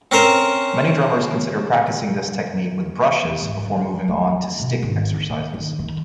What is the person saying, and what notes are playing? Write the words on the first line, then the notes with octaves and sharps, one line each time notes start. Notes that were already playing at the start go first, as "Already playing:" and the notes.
Many drummers consider practicing this technique with brushes before moving on to stick exercises.
C4 C#4 A#4 C5
E2
G#2
D3
G3
A3
F4
B2
G#1
D#3
A#2
D#3
D#3